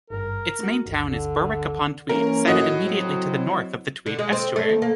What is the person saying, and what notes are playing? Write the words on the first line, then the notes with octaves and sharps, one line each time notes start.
Its main town is Berwick-upon-Tweed, sited immediately to the north of the Tweed estuary.
G#1 G2 A#4
A3 F#4
G1 D2
D3
E3 A#3 C#4 A#4
A2 F#4 D#5
F#3 C4
D3
G#3
C4
A3
D#2
A#3